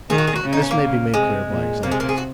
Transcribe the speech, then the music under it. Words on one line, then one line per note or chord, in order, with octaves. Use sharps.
This may be made clear by examples.
D#3 G#4
F#4
G#4
F#4
C#3
D#4
C#4
A#3
C#3
C3 G#3
A#2
C3 A#3
G#3
A#3
G#4
F#4